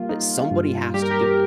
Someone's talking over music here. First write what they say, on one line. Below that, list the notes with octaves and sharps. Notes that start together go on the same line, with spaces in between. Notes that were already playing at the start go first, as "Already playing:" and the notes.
that somebody has to do it.
Already playing: G3 A#3 F4
D#4
G2
G3 G4
A#4
G4